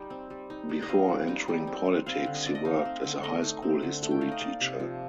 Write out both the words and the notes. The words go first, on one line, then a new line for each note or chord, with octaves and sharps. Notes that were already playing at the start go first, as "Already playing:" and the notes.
Before entering politics, he worked as a high school history teacher.
Already playing: G3 D#4 G5
C4
G3
D#4
G3
D#5
C4 F5
G3
D#4
G3
C4
G3
C4 F5
D3
D#5
A3 D5
D#5
D#4 F5
C4
D3
A3 D#5
D#4
C4
D3
A3
G5
D#4 F5
D#5
A#3 D5
C3
F3